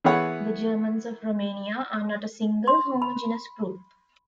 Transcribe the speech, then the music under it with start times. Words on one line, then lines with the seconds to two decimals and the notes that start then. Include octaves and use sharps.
The Germans of Romania are not a single, homogenous group.
0.04 E3 B3 G#4 C#5 F#5 B5
2.68 C6
3.02 B5